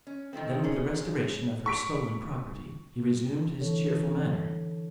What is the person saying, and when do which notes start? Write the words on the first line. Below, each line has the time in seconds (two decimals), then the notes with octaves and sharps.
Then, with the restoration of her stolen property, he resumed his cheerful manner.
0.07 C#4
0.33 D#3 F3 A3 C4
0.64 G#2 C#4 G#4
1.66 C#6 B6 D7
3.61 D3 E3 A4 C#5